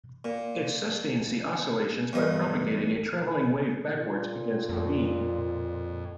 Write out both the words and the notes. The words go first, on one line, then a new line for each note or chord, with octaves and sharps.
It sustains the oscillations by propagating a traveling wave backwards against the beam.
A#2
E2 G2 D#5
A#2
F2